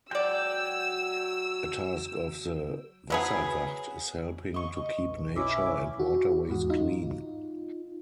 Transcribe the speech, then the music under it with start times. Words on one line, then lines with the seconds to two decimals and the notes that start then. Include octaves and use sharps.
A task of the Wasserwacht is helping to keep nature and waterways clean.
0.11 F#3 G#3 F#4 D5 G5 E6
3.10 F#3 B3 G#4
4.54 D#5 C#6
4.99 B1
5.36 C#4 E4 E5 D6
6.00 F#4
6.49 E2 G#2 F#4
6.69 D#4 F4